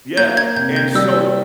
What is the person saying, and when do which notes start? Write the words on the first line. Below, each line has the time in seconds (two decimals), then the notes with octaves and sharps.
Yeah, and so,
0.17 A#3 G6
0.37 G#6
0.56 C3 G6
0.76 G6
0.95 G3 E6